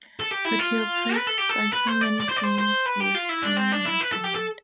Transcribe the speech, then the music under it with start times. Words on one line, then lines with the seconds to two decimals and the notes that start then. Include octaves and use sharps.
But he oppressed by so many things he was turning in his mind.
0.20 A4
0.31 G4
0.45 E4
0.59 F4
1.16 B4
1.27 A4
1.38 G4
1.49 A4
1.73 B4
1.87 C5
2.01 D5
2.20 D5
2.29 C5
2.36 D5
2.43 C5
2.58 C5
2.86 B4
3.00 G4
3.15 F4
3.29 E4
3.43 D4
3.57 C4
3.72 D4
3.85 E4
4.00 B4
4.12 A4
4.24 G4
4.35 A4